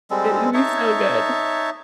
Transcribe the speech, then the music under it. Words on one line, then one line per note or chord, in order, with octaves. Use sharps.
It'd be so good.
G3 G#3 C4 A4
D#4 C#5 E5 A5